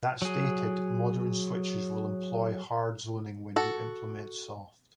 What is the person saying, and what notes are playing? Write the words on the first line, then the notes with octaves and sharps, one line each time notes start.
That stated, modern switches will employ hard zoning when you implement soft.
F#3 G#4
F#4 A4